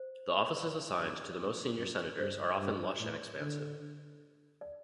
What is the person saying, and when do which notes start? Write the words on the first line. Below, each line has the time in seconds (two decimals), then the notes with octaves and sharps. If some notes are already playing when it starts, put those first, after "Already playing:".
The offices assigned to the most senior senators are often lush and expansive.
Already playing: C5
0.57 B4
0.98 F#2
1.38 F#2
1.78 F#2
2.19 G2 C5
2.59 G2
2.99 A2
3.40 D3
4.61 D5